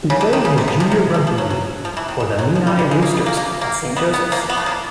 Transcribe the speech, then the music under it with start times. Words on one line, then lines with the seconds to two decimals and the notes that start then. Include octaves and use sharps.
He played his junior rugby league for the Menai Roosters and Saint Joseph's.
0.10 C#3
0.21 D3
0.33 D#3
0.45 C#3
0.58 C3
0.68 B2
0.80 C3
0.92 C3
1.14 F3
1.27 F3
1.38 F#3
1.50 F#3
1.85 F3
1.97 E3
2.08 D#3
2.20 E3
2.39 F#3
2.55 F3
2.67 G3
2.79 G3
2.91 G#3
3.02 A#3
3.14 B3
3.26 A#3
3.37 A#3
3.61 A#3
3.96 B3
4.14 B3
4.32 A#3
4.50 B3
4.57 A3
4.66 A#3